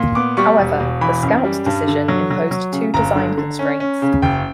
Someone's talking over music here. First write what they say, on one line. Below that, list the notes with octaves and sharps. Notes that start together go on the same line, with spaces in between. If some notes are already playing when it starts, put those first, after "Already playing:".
However, the Scout decision imposed two design constraints.
Already playing: A#2
B3 D6
G3 C#6
E1
E1
E3 B5
F#2
G3
G2
D3
F#3
F#3
F#3
C#3
G1 A#5
D3
D3
C#4
C#4
C#3
F#1 G5